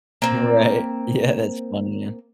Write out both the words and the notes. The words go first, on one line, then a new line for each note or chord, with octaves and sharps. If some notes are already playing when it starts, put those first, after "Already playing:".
Right. Yeah, that's funny, yeah.
A#3 C4